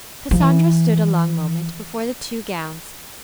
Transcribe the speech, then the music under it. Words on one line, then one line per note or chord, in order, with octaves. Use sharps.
Cassandra stood a long moment before the two gowns.
F3
E3